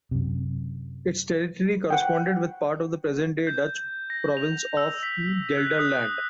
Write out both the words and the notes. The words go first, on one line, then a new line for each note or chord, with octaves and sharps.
Its territory corresponded with part of the present-day Dutch province of Gelderland.
F#2 C3
F#5 G5
G6
A#6
F7
E6
B6
F#6
D#6